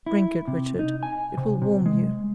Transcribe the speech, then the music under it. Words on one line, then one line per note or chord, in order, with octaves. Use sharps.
"Drink it, Richard, it will warm you."
E4
C3
D#4
G#5
C3
C3
G#3